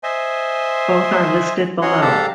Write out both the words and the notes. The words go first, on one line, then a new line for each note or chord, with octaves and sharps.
Both are listed below.
C5 D#5 E5 G#5 C6
F#3 C#4 C#5 D#5 F#5 C6
G#2 D4 G4 A4 F5 A#5